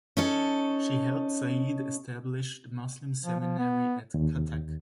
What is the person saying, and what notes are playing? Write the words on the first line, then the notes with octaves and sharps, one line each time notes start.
She helped Sayeed establish the Muslim Seminary at Cuttack.
C#4 D#4 A4
F3
F3
B3
D#2